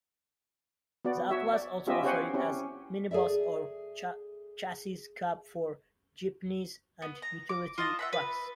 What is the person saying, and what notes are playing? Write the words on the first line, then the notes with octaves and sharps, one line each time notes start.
The Atlas also offered as minibus or chassis cab for jeepneys and utility trucks.
B3 F#4 D5
F#4 C#5 E5
D5
B3 C#4 F4 G4 D#5 E5
C#4 G4 C5 C#5 F#5 G#5
C4 C#4 E4 G4
G#4 A4 D5 E5
B3
A#5
D6
F4 D#5 A5 A#5
E5 F#5 B5
B4